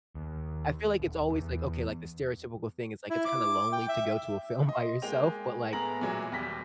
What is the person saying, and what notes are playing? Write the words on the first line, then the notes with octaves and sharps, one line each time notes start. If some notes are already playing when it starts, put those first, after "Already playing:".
I feel like it's always, like, okay, like, the stereotypical thing is, like, it's kinda lonely to go to a film by yourself, but, like,
D#2
D#1
E2
E4
D6
G5
E5
D#5 C6
G#3 A#3 G5 F7
A2 B3 G#4 A#5 A#6 F#7
A#2 E3 F#3 G#3
D#1 D#2 G3 A#6 B6